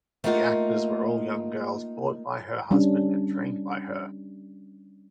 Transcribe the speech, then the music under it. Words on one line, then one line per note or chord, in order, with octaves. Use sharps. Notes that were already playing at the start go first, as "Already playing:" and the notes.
The actors were all young girls bought by her husband and trained by her.
A3 A#3 D#4 F4 A#4 F#5
G3 C#4 D4